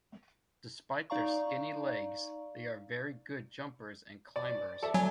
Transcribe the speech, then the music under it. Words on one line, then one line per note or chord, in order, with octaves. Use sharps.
Despite their skinny legs, they are very good jumpers and climbers.
D#4 D5 F5 A#5 C#6
D5
A4 D5 E5
F#3 G#5